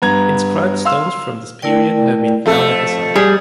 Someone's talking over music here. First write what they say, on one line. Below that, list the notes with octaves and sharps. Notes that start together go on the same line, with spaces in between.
Inscribed stones from this period have been found at the site.
G2 B3 A#5 G#6
F5 C6 E6
A3 E4 A#4 D5 G5
F2 A3 A4
G3 G#4